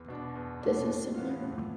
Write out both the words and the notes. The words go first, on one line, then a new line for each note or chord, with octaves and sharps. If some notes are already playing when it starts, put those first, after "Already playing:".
This is similar.
Already playing: E2
B2 B3 D4
E2
B2 B3 D4
A2
E3 B3 F4
A2